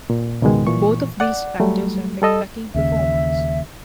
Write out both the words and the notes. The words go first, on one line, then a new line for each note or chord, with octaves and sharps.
Both of these factors affect packing performance.
A#2
C#2 G#2 B2 D#3 G#3
A#2 E3 C#6
D5 F#5
F#3 G3 A3
G3 A4 D#5 E6
D#2 C#3 E5